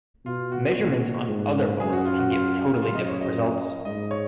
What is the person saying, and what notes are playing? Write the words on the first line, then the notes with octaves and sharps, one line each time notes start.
Measurements on other bullets can give totally different results.
B2 F4
F#4
A#2
G#2
F#2 G#4
F#4
F4
F#4
F4
F4
F#2 F4
D#5
C#5
D#5
G#2 D#5
C#5